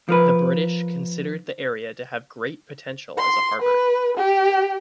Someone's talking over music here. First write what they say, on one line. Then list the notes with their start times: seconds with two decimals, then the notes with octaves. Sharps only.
The British considered the area to have great potential as a harbour.
0.09 F3 A#4 B4
3.18 C6
3.62 B4
4.17 G4